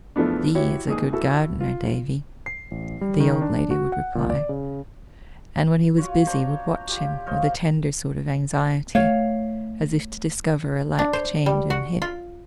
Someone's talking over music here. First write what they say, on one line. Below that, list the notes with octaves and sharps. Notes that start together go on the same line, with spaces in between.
"Thee is a good gardener, Davy," the old lady would reply, and when he was busy would watch him with a tender sort of anxiety, as if to discover a like change in him.
E2 F3 A3 B3 D4
E4 F#4 G4 C#5
D#2 G#2 D#4 G#4 D#6
E4 F#4 A4
F4
C7
A1
G3
D#3
D4
F#4
F#5
A#2
D5
C#3
F4 F#4 C#5
D4 C5 C#5 A#5
F4 G4
C5 C#5 D#5 F5
A3 C#5 F5
D4
C5
G3
F#4
F4